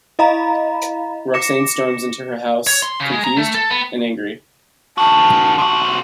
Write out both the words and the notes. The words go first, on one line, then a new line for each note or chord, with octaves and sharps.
Roxane storms into her house, confused and angry.
E4 D#5 F5 A#5 B5
D6 A#6 C#7 E7
C#5
C6
C#3
G#3
A#5
A3
A4
B3
D#3 F#4 A5
C3 F#4